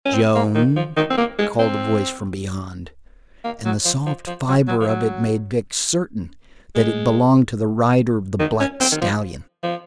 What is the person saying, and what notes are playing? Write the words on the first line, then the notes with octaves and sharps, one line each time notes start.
"Joan!" called a voice from beyond, and the soft fiber of it made Vic certain that it belonged to the rider of the black stallion.
C#4
C4
A#3
D#3
F3
D#3
C4
A#3
G#3
C4
A#3
F#3
F3
F3
F3
F#3
F#3
F3
F#3
G#3
D#3
C#4
C4
D#3
F3
F3